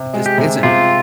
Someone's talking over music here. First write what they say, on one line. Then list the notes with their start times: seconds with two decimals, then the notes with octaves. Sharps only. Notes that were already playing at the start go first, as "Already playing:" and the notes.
It just isn't.
Already playing: C3
0.13 G#3
0.26 G4
0.38 C3
0.63 C3 F4